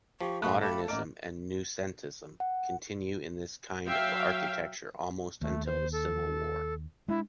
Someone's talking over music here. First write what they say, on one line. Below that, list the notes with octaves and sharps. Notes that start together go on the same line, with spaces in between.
Modernism and noucentisme continue in this kind of architecture almost until the Civil War.
F3 G4 C#6
A1 A3 D#5 F5 B5 C#6 F#6
G4 A4 F5 B5 E7
A1 A#3 A#4 D5 D#5 D7
F#5
F#3 E5 F5 G5
D#2 A3
C5
A4
G#3 D4 E4